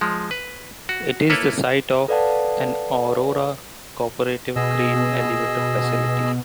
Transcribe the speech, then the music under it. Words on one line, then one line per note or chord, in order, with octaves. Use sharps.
It is the site of an Aurora Cooperative grain elevator facility.
F3 G#3
B4
F#4
A#3 E4 A4 B4 C#5
A4 B4 D5 F5 F#5 A5
B2 G#4 D#5 E6